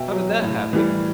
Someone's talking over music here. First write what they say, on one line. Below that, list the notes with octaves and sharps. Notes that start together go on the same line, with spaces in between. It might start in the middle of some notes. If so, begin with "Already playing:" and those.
"How did that happen?"
Already playing: B2 E5 G5
F#3
A2
E3 G3